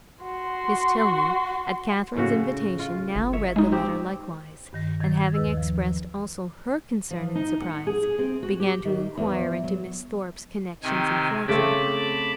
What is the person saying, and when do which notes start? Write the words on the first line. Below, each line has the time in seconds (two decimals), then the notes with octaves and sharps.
Miss Tilney, at Catherine's invitation, now read the letter likewise, and, having expressed also her concern and surprise, began to inquire into Miss Thorpe's connections and fortune.
0.23 F#4 C6
2.16 A2 C#3 F#4
2.79 F4
3.16 G1
3.33 C#5 E5
3.56 G#3 D#4
3.72 C4 G4
4.73 G2 D#3 A#6
5.00 D#3 G#6 A6
5.34 D#2 B4 D#5 E6
5.57 F3
7.11 F3
7.35 D#4
7.62 F#5
7.87 G#4
8.19 C4
8.43 F#4
8.60 G4
8.85 D#3
9.18 E2
9.64 F#3
10.83 C3 D#3 G#5
11.48 C#3 A3 C4 A5 B5 D6